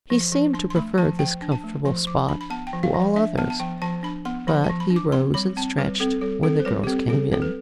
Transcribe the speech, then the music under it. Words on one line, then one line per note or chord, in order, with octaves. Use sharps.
He seemed to prefer this comfortable spot to all others, but he rose and stretched when the girls came in.
F3
F3
D4 C6
C6
A3 B5
F3 A5
F3 G5
D4
A5
A3
F3 C6
F3 D6
D4 B5
B5
B3 A5
G5
F3
F5
F3
D5
D4 E5
B3 A5
A5
F3 G5
F3 A5
D4 B5
B3 C6
F3 B5
A5
F3
B5
D4
D6
C4 C6
G3 B5
C4 A5
G3 B4
C4 A4
G3 A4
C4 A4
C5
G3 B4
G4
C4 A4
G3 A4
C4 A4
B4